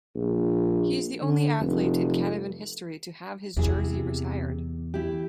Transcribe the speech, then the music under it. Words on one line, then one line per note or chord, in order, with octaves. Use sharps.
He is the only athlete in Canevin history to have his jersey retired.
A#1
D3
F1
E2 C3 E4 G#4
E4 G4